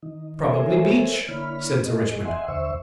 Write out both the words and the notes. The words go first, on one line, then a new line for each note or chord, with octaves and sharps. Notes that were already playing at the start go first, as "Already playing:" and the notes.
"Probably beech," said Sir Richmond.
D#3 D#4
A4 A#4 C5 C#5 E5 G#5
D3 A#3 E4 C#5 B5 F6
G#4 D#5
D#5 E5 F#5 G#5 C6
D#2 D3 C5 E5 C#6 E6